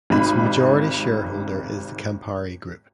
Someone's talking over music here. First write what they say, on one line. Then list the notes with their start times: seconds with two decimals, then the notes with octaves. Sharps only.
Its majority shareholder is the Campari Group.
0.10 G#1 C3 D#4 B5